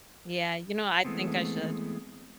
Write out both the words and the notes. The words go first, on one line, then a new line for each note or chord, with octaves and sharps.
Yeah, you know, I think I should.
E3 G#3 A3 B3 C4